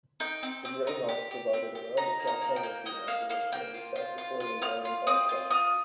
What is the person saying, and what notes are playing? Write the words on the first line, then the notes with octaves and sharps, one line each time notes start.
The Greyhawks provided around-the-clock casualty evacuation and assault support in Al Anbar Province.
D#4 G5
C4
C4
D#4
G4
G4
C4
G4
D#4 A#5
A#3
A#5
A#3
G5
A#3
A#3 D#5
A#3 F5
A#3 F5
A#3 G5
F4
F4
F4
F4
F4 F6
F4
C4 D#6
F4
F4 D#6